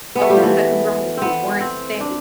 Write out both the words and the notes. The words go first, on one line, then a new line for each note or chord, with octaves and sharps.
All these things that could be wrong with you weren't a thing.
B3
A3
G3
F3
E3
B3 C4
C4
D4